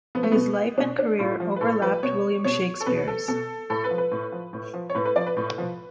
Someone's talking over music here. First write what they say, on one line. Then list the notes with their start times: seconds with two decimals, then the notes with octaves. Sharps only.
His life and career overlapped William Shakespeare's.
0.15 F3 B3
0.23 A3
0.32 B2 B3
0.78 B2 D4
0.99 D4
1.19 A2 F4
1.40 F3
1.56 B4
1.61 A2 A4
1.82 F3 B4
2.03 B2 C#5
2.44 B2 C#5
2.80 A4
2.86 B2 B4
3.08 A4
3.28 B2 A4
3.70 A2 A4
3.84 B4
3.91 F3
3.98 B4
4.12 A2
4.32 F3
4.53 A2
4.74 F3
4.90 C#5
4.95 A2 B4
5.05 B4
5.16 F3 D5
5.26 B4
5.37 A2
5.58 F3